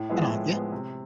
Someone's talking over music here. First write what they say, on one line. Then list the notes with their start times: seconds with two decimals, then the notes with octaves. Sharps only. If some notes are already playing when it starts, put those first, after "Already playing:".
And aren't you?
Already playing: A2
0.09 F3 G#3 B3 E4
0.30 A2
0.51 F3 G#3 B3 E4
0.72 C3